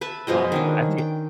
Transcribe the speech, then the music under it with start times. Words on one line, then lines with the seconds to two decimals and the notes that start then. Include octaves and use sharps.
Um, I think it
0.01 B4 E5 A5 B5
0.27 B2 F3 G#3 D#5
0.52 D#3 C#4 D4
0.98 G5